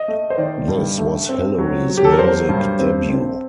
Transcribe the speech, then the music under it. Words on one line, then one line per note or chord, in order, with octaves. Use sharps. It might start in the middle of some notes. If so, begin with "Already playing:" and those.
This was Hilary's music debut.
Already playing: D#5
A3
C5
D#3 D5
G2
A3
C4
F#3
F#3
G4
A4
A#4
F#3 C5
G2
C4
C4